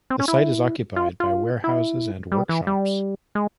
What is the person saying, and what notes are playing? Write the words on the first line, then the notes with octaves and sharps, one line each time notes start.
The site is occupied by warehouses and workshops.
C4
C#4
E4
F4
F4
E4
G3
E3
G3
G#3